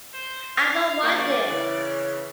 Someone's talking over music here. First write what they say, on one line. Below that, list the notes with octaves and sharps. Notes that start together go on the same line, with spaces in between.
I don’t want this.
C5
F5
F3 G3 A#3 D5 C#6
C#3 E3 C#5